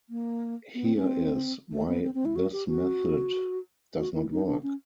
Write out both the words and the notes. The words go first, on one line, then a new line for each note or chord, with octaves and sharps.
Here is why this method does not work.
A#3
B3
C4
C#4
C4
A3
B3
C4
C4
E4
F#4
G4
F#4
F#4
E4
D#4
D4
C#4